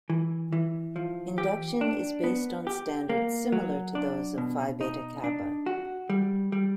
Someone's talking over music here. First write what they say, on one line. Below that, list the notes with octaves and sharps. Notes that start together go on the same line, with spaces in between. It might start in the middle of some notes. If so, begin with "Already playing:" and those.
Induction is based on standards similar to those of Phi Beta Kappa.
E3
E3
F3
G4
D4
B3
G4
A#3
F#3
D4
B2
D#4
D4
F#4
G3
G3